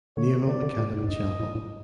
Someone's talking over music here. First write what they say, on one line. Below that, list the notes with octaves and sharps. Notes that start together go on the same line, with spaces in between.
Naval Academy Chapel.
D3 C#5
D3 D5
D3
A#2
G#2
G#2
G2 D#5
G2
A2
A2